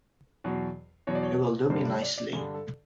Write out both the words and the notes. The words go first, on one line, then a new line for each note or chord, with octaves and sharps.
It will do me nicely.
E2 B2 F#3
E2 B2 F#3 C#5
D5
C#5
G2 D3 G3 C5
D5
D5
D5
G2 D3 G3 G#4
A4